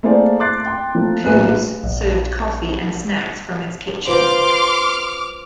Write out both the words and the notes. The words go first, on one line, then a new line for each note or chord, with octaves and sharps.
Koo's served coffee and snacks from its kitchen.
A3 A#3 E4 G#4 C5 D5
C6 D6 F#6 A6 C7
G5 C6
F3 A3 A#3
A#1 A2 A#3 G#4 B4 F#6
A#1
F4 B4 C5 C6 D6 F6